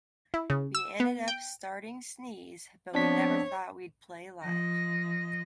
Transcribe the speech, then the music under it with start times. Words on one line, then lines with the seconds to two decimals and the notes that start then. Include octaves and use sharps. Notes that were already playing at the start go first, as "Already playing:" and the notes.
We ended up starting Sneeze, but we never thought we'd play live.
0.34 E4
0.50 C#3
0.75 E6
1.00 B3
1.28 G5
2.95 F3 B3 C4 D4 C#5 B6
4.43 F3 D#5